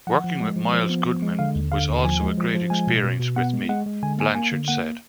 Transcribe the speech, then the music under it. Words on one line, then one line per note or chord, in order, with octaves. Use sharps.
"Working with Miles Goodman was also a great experience with me," Blanchard said.
F3 F#5
F3
G#3
F3
F3
B3
F3
G#3
D3 F5
D#2
D3 F5
D#2
F3 G#5
G#3
F3
F3
G#3 G#5
B2
B2
B2
B3 F#5
G#3
G#3 F#5
G#3
D3 G#5
A#3 G#5
A#3 G#5
D3
A#3 F#5